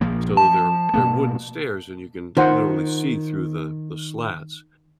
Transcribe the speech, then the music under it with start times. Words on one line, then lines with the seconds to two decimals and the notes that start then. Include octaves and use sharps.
so, they're they're wooden stairs, and you can literally see through the the slats.
0.01 A#1 F3 A#3
0.37 F3 A5
0.94 B2 A#3 B3
2.37 D#3 F4 C5 F#5